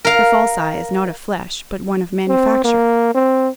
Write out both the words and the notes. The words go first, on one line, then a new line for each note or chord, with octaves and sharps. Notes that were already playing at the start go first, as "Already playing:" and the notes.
The false eye is not of flesh but one of manufacture.
A#4 F5
C4
A#3
C4